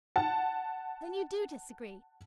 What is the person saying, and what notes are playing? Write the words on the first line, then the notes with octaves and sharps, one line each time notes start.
Then you do disagree.
F#5 A5